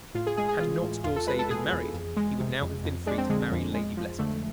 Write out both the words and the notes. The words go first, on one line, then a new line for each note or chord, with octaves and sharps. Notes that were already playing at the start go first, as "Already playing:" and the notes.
Had not D'Orsay been married he would now have been free to marry Lady Blessington.
A2 F4
G#4
G#3 G#4
G#4
E3 F4
A2
E2 F4
A4
G#3 B4
A4
B2 G#4
E2
F2
G#3
C3
F2
F2
G#3 D4
C4
D3 G#3
F2
G#3
F3
D3 A3